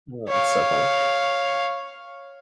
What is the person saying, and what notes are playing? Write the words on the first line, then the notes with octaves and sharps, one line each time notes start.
Well, it's so funny.
C#5 F5